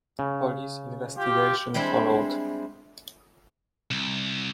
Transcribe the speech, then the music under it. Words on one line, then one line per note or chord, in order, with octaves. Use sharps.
Police investigation followed.
C#3
F4 G4
G3 G#3 C4 D4 E4
C2